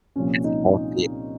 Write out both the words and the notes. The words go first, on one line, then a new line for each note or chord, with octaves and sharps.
It's healthy,
C2 A#2 F3 C#4
D#4